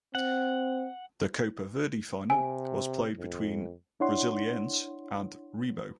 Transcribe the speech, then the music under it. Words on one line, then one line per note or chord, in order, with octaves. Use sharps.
The Copa Verde final was played between Brasiliense and Remo.
C4 F#5
C3 G#5
F2
D4 E4 C#5 F#5 C6